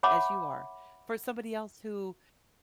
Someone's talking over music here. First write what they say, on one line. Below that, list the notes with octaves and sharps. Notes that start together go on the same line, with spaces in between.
as you are, for somebody else who
C#5 E5 F#5 A5 B5 D6